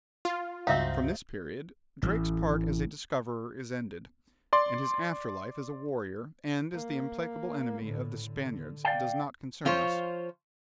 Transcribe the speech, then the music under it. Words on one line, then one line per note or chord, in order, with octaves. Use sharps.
From this period Drake's part as a discoverer is ended, and his after-life as a warrior and as the implacable enemy of the Spaniards does not concern us.
F4
C#2 G2 C4 D#4 F#4 E5 F5
A1
D5 C6
A#3
A2 D3
D3
D5 F5 G5
F3 F4 C5 C#5